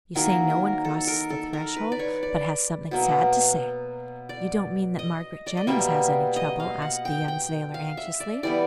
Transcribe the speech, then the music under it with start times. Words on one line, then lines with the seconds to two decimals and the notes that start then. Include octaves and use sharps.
"You say no one crosses the threshold but has something sad to say; you don't mean that Margaret Jennings has any trouble?" asked the young sailor, anxiously.
0.16 D#3 F#3 A#3 A#4
0.50 A#4
0.85 A4
1.07 A#4
1.30 A4
1.53 A#4
1.76 B4
1.92 D5
1.99 C#5
2.23 D5
2.91 B2 F#3 A#3
4.29 D5
4.99 D#5
5.47 D5
5.57 D#5
5.67 B2 G3 A#3 E5
6.36 D#5
6.60 F5
6.82 F#5
7.05 G5
7.28 G5
7.74 F5
7.97 E5
8.20 D5
8.43 E3 G3 B3 D5